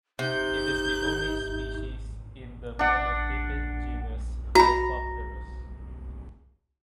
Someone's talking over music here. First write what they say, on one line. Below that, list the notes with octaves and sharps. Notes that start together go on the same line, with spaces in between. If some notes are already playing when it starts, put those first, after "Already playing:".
It is the only species in the monotypic genus Hypopterus.
C3 D#4 G6
D4 F#5
F#4 A#5 B5